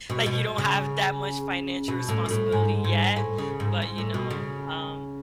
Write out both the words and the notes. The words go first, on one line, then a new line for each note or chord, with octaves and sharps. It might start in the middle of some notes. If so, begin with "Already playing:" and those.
Like, you don't have that much financial responsibility yet, but you know Um,
B2
B2
C#3
B2
A2
B2
A2
G#2
G#2
A2
C#3
G#2
G#2
A2
B2
C#3